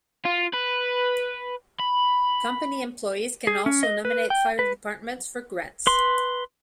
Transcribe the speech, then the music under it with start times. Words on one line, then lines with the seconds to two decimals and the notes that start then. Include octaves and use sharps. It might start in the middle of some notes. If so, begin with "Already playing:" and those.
Company employees can also nominate fire departments for grants.
0.25 F4
0.54 B4
1.79 B5
3.47 G#4
3.66 C#4
3.83 D#5
4.05 B4
4.30 G5
4.59 B4
5.87 B4 C6